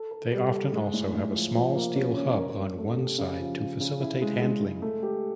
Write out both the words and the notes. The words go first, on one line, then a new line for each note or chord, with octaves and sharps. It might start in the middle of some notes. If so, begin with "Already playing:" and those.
They often also have a small, steel hub on one side to facilitate handling.
Already playing: A4
A4
G3
A4
G#3
A2
A2
F3
F3
A#3
C#4
C#4
A#4
A#4
A3
G4
C#3
F3
C#3
C#3
E4
G#3
G#3
G#3
A3
G4